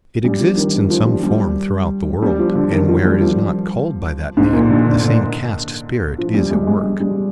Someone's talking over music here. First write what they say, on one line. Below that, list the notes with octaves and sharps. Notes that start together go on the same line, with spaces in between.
It exists in some form throughout the world, and where it is not called by that name, the same caste spirit is at work.
G3
F3
D#3
D#3
F3
G3
G3
G3
F3
D3
D#3
F3
G3
F3
G#2
A#2
D3
D3
D3
F3
G3
G#3
G#3
G3
G3